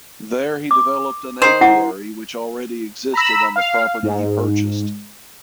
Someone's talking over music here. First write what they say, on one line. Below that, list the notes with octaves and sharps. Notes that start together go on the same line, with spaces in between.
There he developed an apiary which already existed on the property he purchased.
D6
D#3 C5 C6
E4 F#5
A#5 B5 E6
F5
G#2